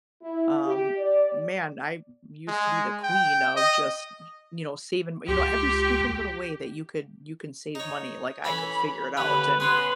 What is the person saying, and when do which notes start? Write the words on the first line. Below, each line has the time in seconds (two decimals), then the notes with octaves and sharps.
Um, man, I used to be the queen of just, y you know, saving you know, every stupid little way that you could you can save money, like, I could figure it out and,
0.21 E4
0.66 G4
0.97 D5
2.48 G#3
3.04 G5
3.56 D#5
5.28 C#2 G4
7.75 D#4 C#5
8.44 E3 C#4 A4 B5
9.17 D#2 D3 C#4 B4 B5
9.60 B3 C#4 G#4 B4 C6